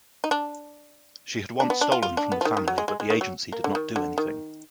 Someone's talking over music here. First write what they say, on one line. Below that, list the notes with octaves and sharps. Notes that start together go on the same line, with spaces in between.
She had once stolen from the family but the agency did not do anything.
D#4
D4
D4
B3
D4
F4
F4
D4
B3
F3
D#3
D#3
F#3
G#3
G#3
G#3
D#3
F#3
A#3
D3
D#3
D3
D#3